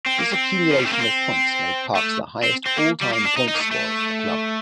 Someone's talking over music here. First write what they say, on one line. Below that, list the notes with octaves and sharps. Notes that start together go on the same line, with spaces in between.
This accumulation of points made Parks the highest all-time points scorer for the club.
C4
A#3
C4
F3
G3
A3
A#3
C4
A3
C4
C4
A#3
G3
A#3
D4
D#4
D#4
A#3
A3
A3